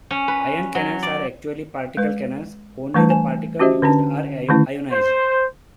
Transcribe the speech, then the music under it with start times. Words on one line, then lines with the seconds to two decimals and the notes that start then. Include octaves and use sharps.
Ion cannons are actually particle cannons; only the particles used are ionized.
0.11 C#4
0.28 B4
0.75 F#3
1.03 D5
1.97 G#3 B4
2.94 E3 G3 A3 D4 B4 A5
3.10 G#5
3.59 C#4 F#4 G4 C5 D#5 E5
3.82 D3 C#4 D4 A5
4.49 D3 D#3 A3 C#4 E4
4.92 C5